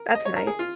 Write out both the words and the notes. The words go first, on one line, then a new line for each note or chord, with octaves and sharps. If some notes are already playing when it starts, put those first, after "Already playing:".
That's nice
Already playing: A#4
D#5
C#5
A#4
G#4
F4